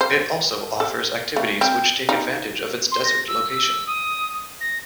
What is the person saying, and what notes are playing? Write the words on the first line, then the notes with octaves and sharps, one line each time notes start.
It also offers activities which take advantage of its desert location.
C5
A4
A3
C4
D#4
C6
A#6
E6
E6
D#6
A#6